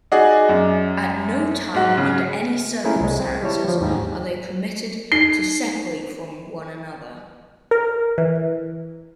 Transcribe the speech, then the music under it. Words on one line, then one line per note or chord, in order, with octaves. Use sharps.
At no time, under any circumstances are they permitted to separate from one another.
D#4 F#4 G#4 D5
F#2
G#2 F#4
C#3
A3 A#3 C#4 E4 G#4 A#4
C2 G#3
C4
G3 E4 C#5 A5
F3
D#2 G#2 G3 G5
D#4 C7 G7
A#4
E3